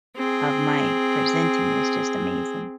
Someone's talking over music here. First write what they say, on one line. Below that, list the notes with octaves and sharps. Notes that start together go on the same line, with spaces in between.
of my presenting was just amazing.
C4 G#4